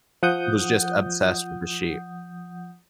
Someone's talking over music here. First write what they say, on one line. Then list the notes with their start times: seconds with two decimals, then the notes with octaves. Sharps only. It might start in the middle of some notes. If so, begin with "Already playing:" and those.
was just obsessed with the sheep.
0.23 F3 F#5 D#6 G6